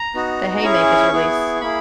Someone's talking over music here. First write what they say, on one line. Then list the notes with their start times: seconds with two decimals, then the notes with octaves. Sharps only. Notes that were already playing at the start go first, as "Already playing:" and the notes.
The Haymakers release.
Already playing: A#5
0.15 B3 D#4 F#4
0.63 C#4 E4 G#4 C#6
1.12 B3 E4 G#4
1.61 A#3 E4 G#4 B5